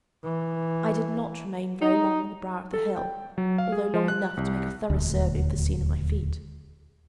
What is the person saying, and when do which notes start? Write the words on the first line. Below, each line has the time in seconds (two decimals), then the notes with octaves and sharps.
I did not remain very long on the brow of the hill, although long enough to make a thorough survey of the scene at my feet.
0.24 E3
1.81 D#4
2.74 A4
2.96 G5
3.38 F#3
3.58 F5
3.72 G#4
3.94 F3
4.08 F#6
4.37 C2
4.90 D#1 D2